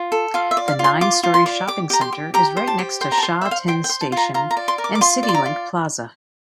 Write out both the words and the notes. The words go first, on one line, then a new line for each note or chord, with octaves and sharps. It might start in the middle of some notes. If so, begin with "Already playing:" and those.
The nine-storey shopping centre is right next to Sha Tin Station and Citylink Plaza.
Already playing: F4
A4
F4 F5
E5
D5
F5
F4
C6
F4 D6
F4
C6
D5
G4 D6
G4 A#5
C6
G4
G4 A#5
C5
A5
G4
C5 G5
A#5
A5
C5
C5 E5
F5
C5 G5
G5
C5
A5
F4 A#5
F4 A#5
A#5
D5
C6
A#4
D6
D6
F4 C6
D5
C6
A#5
F4